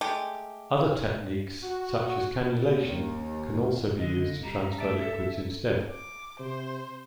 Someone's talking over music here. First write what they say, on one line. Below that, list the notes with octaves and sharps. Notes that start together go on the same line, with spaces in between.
Other techniques such as cannulation can also be used to transfer liquids instead.
G#3 A3 G4
F#4
D#2
C#2 D3 D#5
G3 A#5
A3 D5 E5 A5
A4
D6
C3 C5